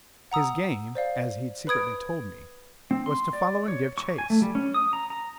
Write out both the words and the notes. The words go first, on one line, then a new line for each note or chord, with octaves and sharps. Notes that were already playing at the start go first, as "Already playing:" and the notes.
His game--as he'd secretly told me--was to follow and give chase.
F#5 A#5 D#6 E6
C5 D5 F5
B4 B5 D#6 G#6 D7
C4
C6
D5
C#5
C#6
G#5
A3
G3
C#4
D#6
A#5
A#5